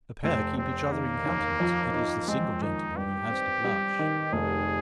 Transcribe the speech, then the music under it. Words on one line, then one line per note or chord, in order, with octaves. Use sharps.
A pair keep each other in countenance; it is the single gentleman who has to blush.
F1 C4
F1 C4
D#3 A#3
D#2
F2
D#4
G#3 C4
D#3 D#4
G2 G4
C4
G3
D#3
F1 G#4